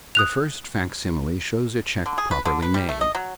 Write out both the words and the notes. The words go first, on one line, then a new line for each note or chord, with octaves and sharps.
The first facsimile shows a check properly made.
D#6 F#6 F7
D3
G#4
B4
D3
B4
G3
A3
D#5
F#3